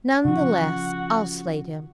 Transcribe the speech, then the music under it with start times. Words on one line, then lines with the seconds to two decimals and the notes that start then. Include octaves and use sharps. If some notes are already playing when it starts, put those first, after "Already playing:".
None the less I'll slate him.
0.25 C#3 F3 F#4